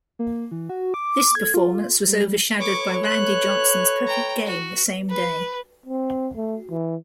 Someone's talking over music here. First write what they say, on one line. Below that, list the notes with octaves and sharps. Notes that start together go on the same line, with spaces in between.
This performance was overshadowed by Randy Johnson's perfect game the same day.
A#3
E3
F#4
D6
G#6
F4
G3
A4 B4 C#5 C#6 D6
F#6
G5 A#5
F#4
B4
C4
A3
E3